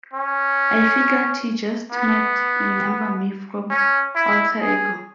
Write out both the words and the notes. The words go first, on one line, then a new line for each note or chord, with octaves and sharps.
I figured he just might remember me from "Alter Ego".
C#4
B3
C#4
E4
G#4